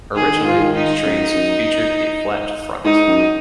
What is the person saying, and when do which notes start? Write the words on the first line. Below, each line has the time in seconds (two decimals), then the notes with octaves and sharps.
Originally, these trains featured a flat front.
0.15 D#3 G#4
0.26 D3
0.36 D#3
0.46 F4
0.53 F3
0.60 D#3
0.75 D#4
1.05 F#2
1.35 F#2
2.84 G#2 D#4
3.07 F#2